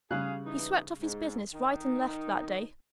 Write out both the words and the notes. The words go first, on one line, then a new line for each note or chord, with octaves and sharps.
He swept off his business right and left that day.
C#3 G3 G#4 F5 F#6
E3 D#4
G#2
D#3 D#4